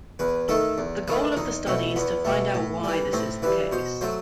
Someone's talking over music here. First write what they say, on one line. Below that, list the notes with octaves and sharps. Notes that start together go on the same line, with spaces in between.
The goal of the study is to find out why this is the case.
E2 B4
D#3 A3 A4
E2
D#3 A3 B4
E2 D#4
B2 A3 C4
E2 B3
B2 A3
A2
E3 G3
A2 C4
E3 G3 B4
B2 C5
F#3 A3 C5